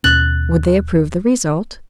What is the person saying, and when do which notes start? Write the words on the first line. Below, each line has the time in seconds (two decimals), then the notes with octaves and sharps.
Would they approve the result?
0.04 D#2 B2 C#4 F#6 A6 F#7